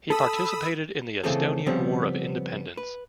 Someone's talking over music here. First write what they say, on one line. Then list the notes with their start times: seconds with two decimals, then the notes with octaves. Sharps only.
He participated in the Estonian War of Independence.
0.10 A4 B5 D#6 E6
1.24 C#3 E3 A3 C4 G#4 A4
1.66 C#3 F3 G3 B3 C4
2.77 B4